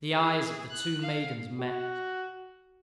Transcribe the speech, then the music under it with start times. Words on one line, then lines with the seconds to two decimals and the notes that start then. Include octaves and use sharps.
The eyes of the two maidens met.
0.15 E4 G#4
0.71 F#6
1.01 F5
1.60 F#4